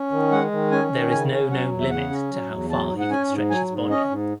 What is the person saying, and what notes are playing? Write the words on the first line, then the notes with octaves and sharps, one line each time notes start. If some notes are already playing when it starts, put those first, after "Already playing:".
There is no known limit to how far he can stretch his body.
Already playing: C#4
D#3
G#3 F#5
D#3
C#4 G#5
D#3
C#3 G#5
C#4
F#3 F#5
E2
E5
C#3 F#5
C#4
F#3
E2
F#3 A5
G#2
F#5
C#4 G#5
G#2
F#3 G#5
G#2
C#4 D#5
G#2